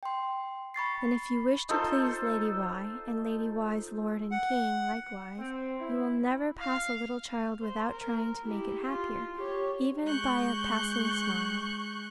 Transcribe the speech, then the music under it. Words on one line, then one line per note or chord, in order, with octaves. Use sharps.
Then if you wish to please Lady Why, and Lady Why's Lord and King likewise, you will never pass a little child without trying to make it happier, even by a passing smile.
G5 C6
B5 C#6 A6 C7
D#4 F4 A4 C5
F#5
C4
E4
F5
C5
A#4
E4 G4
F4
G4 C#5
G#3 C#6 F#6 G6